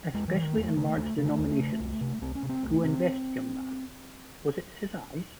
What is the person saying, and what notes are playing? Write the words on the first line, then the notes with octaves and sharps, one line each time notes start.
Especially in large denominations", "Go invest, young man", "Was it his eyes?
E2 G#3
E3
C#3
D#3
E2 A3
C#3 A3
D#2 A3
C#3
A3
D#2
C#3
C2
C3
C2 C4
C#4
C3
C4
C2 A3
C3 C4